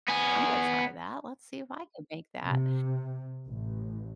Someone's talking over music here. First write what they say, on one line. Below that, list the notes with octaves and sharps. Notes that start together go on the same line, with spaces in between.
I'm gonna try that, let's see if I can make that,"
B3 G#5
C3
A1